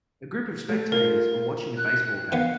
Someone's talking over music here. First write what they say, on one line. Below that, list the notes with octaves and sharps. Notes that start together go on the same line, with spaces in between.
A group of spectators are watching a baseball game.
A3
F4 A#4
F#6
D#3 B3 F5